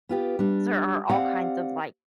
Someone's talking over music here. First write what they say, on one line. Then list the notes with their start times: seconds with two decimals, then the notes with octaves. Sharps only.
There are all kinds of, like,
0.09 B3 F4 G4
0.39 G3 D4
1.10 C4 G4 D5 F5 F#5